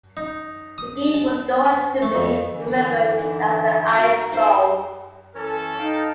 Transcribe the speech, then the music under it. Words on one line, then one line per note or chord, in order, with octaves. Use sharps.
The game would go on to be remembered as the "Ice Bowl".
D#4
D#6
A5
A3
F2
D3 E3
D#4
F#4 A#4
D#4 C5
E3 C#4 A4 C#5
D#4 F5 G5 A5